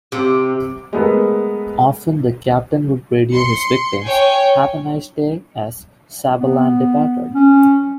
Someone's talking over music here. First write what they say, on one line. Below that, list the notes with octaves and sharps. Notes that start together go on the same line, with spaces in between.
Often, the captain would radio his victims "Have a nice day" as "Sabalan" departed.
C3
G#3 A3 B3 A#4 B4
C6 C#7
C#5 G5 G#5
B3
C#4